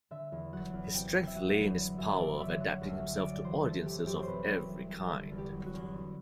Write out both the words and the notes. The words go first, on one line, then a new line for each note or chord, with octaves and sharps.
His strength lay in his power of adapting himself to audiences of every kind.
D3 E5
E2
F#3 F#5
E2
C3 G5
E2
E5
F#3 F#5
E2
D3
F#2 E5
F#3 D5
F#2 E5
D3 F#5
D2
E5
F#3
D5
D2
E3 C5
E3 A4
F#2 G4
F#2 G4
C3 B4 C5
C2
E3
C2
D3 A4
E2
G4
F#3
F#4
E2
D3